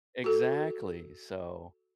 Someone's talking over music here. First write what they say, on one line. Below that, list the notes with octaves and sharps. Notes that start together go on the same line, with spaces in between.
exactly, so,
F#4 A4